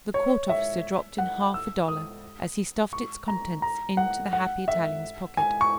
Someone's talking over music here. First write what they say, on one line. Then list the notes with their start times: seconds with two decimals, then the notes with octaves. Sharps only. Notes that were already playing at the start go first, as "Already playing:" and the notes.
The court officer dropped in half a dollar as he stuffed its contents into the happy Italian's pocket.
0.14 C#5
0.49 E5
1.18 F#5
1.54 E6
1.88 D#6
2.93 C#6
3.28 A#5
3.62 A#5
3.97 F#5
4.33 F#5
4.68 E5
5.37 G#5
5.61 C#6